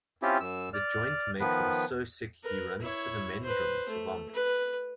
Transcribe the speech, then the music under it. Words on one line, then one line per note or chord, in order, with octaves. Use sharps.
The joint makes him so sick he runs to the men's room to vomit.
C4 C#4 E4 F4 G4
F#2 E6
D5 F6
D#3 F3 B3 B4
A#4 B4
E4 C#5
B4 C5
A3
B4